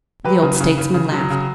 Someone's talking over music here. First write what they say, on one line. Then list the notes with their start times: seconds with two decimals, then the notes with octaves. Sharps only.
The old statesman laughed.
0.24 F#3 G4 B4
0.42 C#3
0.60 C#3
0.78 C#3
0.94 C#3
1.12 F#3
1.30 C#3